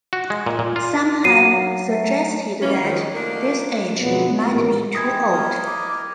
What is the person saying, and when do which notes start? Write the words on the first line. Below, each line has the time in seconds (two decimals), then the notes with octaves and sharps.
Some have suggested that this age might be too old.
0.13 F#4
0.30 G#3
0.46 A#2
0.59 A#2
0.76 F4
1.24 F#3 C7 D#7
1.88 A3
2.62 C#3 E3 A#3 C#4
2.83 F2 G#2 D#3
3.14 A3 A#3 D4 D#4 F4 A#4
4.01 F2 B2 D3 F#3 G#3 B3
4.43 A1 A#2 G4 A#4
4.95 G#3 E4 G4 B4 C6 D#6 G#6
5.32 E4 A#4 D#5
5.66 D6